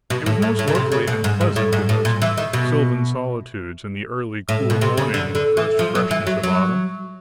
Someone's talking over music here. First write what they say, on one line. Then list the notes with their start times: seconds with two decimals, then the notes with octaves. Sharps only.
It was most lovely and pleasant in those sylvan solitudes in the early cool morning in the first freshness of autumn.
0.10 B2
0.26 A2
0.42 A2
0.59 A2
0.68 C#3
0.75 C3
0.92 C#3
1.07 B2
1.24 G#2
1.41 G#2
1.56 A2
1.73 G#2
1.89 A2
2.05 A#2
2.22 E3
2.37 D#3
2.53 B2
4.49 A2
4.70 B2
4.81 C3
4.97 C#3
5.14 D3
5.35 D3
5.57 E3
5.79 F3
5.95 F#3
6.11 E3
6.27 F#3
6.43 F#3